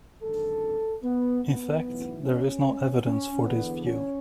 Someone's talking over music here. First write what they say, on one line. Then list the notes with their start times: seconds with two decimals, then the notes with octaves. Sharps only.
In fact, there is no evidence for this view.
0.23 G#1 F#2 D3 A4
1.03 B3
1.44 B3
1.85 B1 A2 E3
2.25 C#4
3.06 C#4
3.46 E2 D3 B3
3.86 C#4